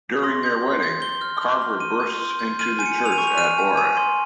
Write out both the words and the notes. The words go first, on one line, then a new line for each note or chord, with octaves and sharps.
During their wedding, Carver bursts into the church at Oare.
C6 A#6
G6
C6
G6
C6 G7
F6
C6
F6
C6 D#7
G6
C6
G6
F6 D#7
G#5 D#7
C#7
G#5
F7
D#7
C#6
F7
F6 D#7
G#5
G#5 D#7
C6